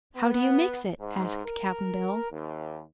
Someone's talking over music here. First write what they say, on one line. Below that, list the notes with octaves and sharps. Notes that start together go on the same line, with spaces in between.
"How do you mix it?" asked Cap'n Bill.
B3
G#2
A#4
D#2